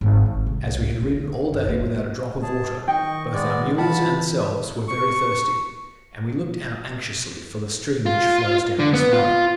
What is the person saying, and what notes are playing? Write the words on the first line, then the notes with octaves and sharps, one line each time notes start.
As we had ridden all day without a drop of water, both our mules and selves were very thirsty, and we looked out anxiously for the stream which flows down this valley.
G#1
G#1
C2
C#3
E2
F#2
A#3
G#4 A5
D#3 D#5 G5 C#6
G#3 B3 D5
E3 F4 F#5 A5 B5
C#6
F4
D3
B3
F4